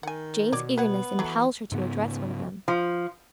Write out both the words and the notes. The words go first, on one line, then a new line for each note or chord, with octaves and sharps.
Jane's eagerness impelled her to address one of them.
D#3 F#5 G#5
B2 C#5 D5
B3 B4 C#5 F#5
E3 F#3 A3
G#2 C#3 B3
F3